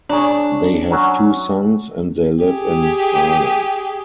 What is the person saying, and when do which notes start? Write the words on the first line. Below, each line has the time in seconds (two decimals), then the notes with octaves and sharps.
They have two sons and they live in Harlem.
0.10 D4 G#4 C#5 A#5
0.90 F#3 C#4 F#4
2.43 G4 G#4